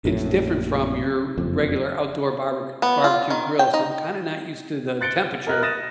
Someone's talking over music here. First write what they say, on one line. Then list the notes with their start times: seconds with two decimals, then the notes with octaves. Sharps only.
it's different from your regular outdoor barber barbecue grill, so, I'm kinda not used to the temperature
0.05 A#1 F#2 A2
1.38 F#1 F2
2.82 B3
3.04 F4
3.30 D#3
3.59 G5
3.74 D#4
5.01 F#6 A6 C#7 D7 G7
5.47 A#4 D#5 F6 F#6
5.62 D#6 A6 A#6 D#7 E7